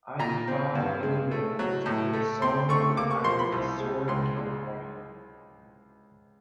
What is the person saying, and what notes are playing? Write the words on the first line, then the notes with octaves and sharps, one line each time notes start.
I defy any man to get a Solomon Island sore in California.
A#2 A#5
C4
G2
G#3
A3
F#3
A2
A3
C4 C6
A3 C#6
A#3 D6
C#6
F3 C6
B5
C2
G#3
C#2 C6
G#3